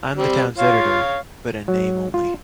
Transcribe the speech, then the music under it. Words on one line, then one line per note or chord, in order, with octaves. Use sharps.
I’m the town’s editor, but in name only.
G3 C4
F4 C#5 F5
F#3
F4